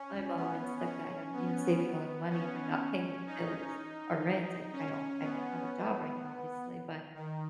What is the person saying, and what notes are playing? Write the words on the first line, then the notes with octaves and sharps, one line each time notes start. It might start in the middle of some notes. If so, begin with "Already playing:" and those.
my mom and stepdad. I'm, you know, saving a lotta money by not paying any bills or rents. Like, I don't I don't have a job right now, obviously, but,
Already playing: C#4
B3
C#4
B3
C#4
D#4
C#4
B3
D#3